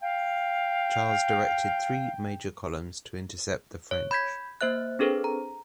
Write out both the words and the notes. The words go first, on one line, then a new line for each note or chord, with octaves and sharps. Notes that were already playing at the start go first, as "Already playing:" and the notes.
Charles directed three major columns to intercept the French.
F5 G5
C#5
B5 G6 G#6 B6
A#3 C5 E5 F#6
C4 D4 G#4 A4 B4 C5
A#5